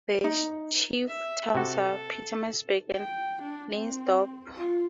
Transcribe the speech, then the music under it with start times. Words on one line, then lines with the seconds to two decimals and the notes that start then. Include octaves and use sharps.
The chief towns are Pietersburg and Leydsdorp.
0.24 D#4
1.08 E5
1.55 C3 F#4 A4
2.97 G5
3.42 D4
3.73 C4
4.57 F4